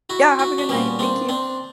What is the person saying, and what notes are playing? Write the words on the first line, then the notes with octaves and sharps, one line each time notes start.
Yeah, have a good night. Thank you.
E4 F#4
E4 F#4
D4
A#2 G3 B3 C#4
C4 D4
C4 D4